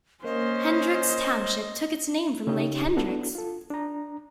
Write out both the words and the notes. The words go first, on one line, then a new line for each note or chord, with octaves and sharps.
Hendricks Township took its name from Lake Hendricks.
A#3 C#4 C5 D#5
C#3 C#4 D#4 G4
B3 D4 E4 F#4 A4
F4 A4
D4 A#5